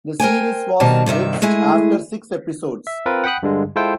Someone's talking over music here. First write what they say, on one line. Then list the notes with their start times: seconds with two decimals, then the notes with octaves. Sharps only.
The series was axed after six episodes.
0.20 A#4 C5 G5 G#5
0.80 B2 D#3 G3 C4 A#4 A5
1.06 G2 C3 D#3 E5
1.42 G#3 A3 E4 G#4
2.87 E5
3.06 C4 F4 A#4 B4
3.24 F#5 G5 B5 D#6 F#6
3.43 G2 D3 G#3
3.75 G#3 E4 F4 A4 C5 G5